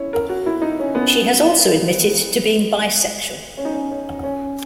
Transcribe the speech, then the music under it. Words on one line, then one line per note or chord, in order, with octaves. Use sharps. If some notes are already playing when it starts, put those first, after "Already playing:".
She has also admitted to being bisexual.
Already playing: C#4 E4 C#5
A#4
F#4
E4
D#4
C#4
B3
C#4
D#4
C#4
C#4
C#4